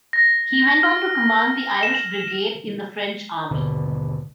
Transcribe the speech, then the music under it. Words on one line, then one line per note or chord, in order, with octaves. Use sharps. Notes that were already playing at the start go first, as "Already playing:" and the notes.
He went on to command the Irish Brigade in the French army.
A#6
F6
E7
D#1 G#1 B2 D3